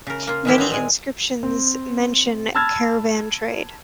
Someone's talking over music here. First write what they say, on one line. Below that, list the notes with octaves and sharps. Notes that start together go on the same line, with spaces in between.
Many inscriptions mention caravan trade.
C#3 A#4
A#3 F4
D#3 E3 G#3 A#3 E4 G4
B3 C4
A#2 G#3 G#5
C4
A5 B5 E6 F6 G#6 A6